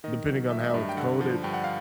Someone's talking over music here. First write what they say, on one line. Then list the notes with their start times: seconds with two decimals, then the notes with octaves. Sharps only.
depending on how it's coded
0.04 D#3 D#5
0.27 F#3
0.50 A3 E5
0.60 D#5
0.70 E5
0.74 G2
0.89 G5
0.97 D3 F#5
1.21 F3
1.44 G2 G5
1.54 F#5
1.64 F5